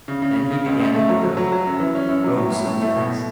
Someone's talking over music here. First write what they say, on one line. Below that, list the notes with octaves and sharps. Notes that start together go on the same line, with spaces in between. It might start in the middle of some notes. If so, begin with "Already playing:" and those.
Then he began to grow, oh! so fast.
C#3
C#3
C#3
C#3
C#2
C#2
A3
F#3
F#3
F#3
F#3
F#2
E3
C#4
F#2
F#3
A2
A2
A2
A3
B2